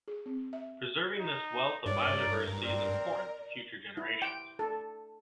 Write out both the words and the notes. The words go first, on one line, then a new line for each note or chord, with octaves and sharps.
Preserving this wealth of biodiversity is important for future generations.
G#4
C4
E5
D#4
G2 A#4 C#5 D5
C4 D5
E4
G5
A4